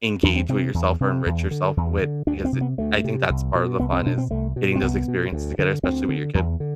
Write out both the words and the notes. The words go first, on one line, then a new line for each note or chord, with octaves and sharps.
engage with yourself or enrich yourself with because it I think that's part of the fun, is getting those experiences together, especially with your kid.
E2 D4
C4
C3 C4
E2
C3
E2
D3
E2
D3
D2 D4
C4
C3
B3
D2 A3
C3
C2
B2
C2 B3
C4
B2 D4
C4
C2 A3
B2
C4
C2 B3
B2
D2
D3
D2 C4
D3
E2
D3